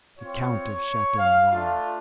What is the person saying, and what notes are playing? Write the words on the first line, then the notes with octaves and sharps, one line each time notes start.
"The Count of Chateau Noir."
C4 F4 C#5
F5
A3 D4 F4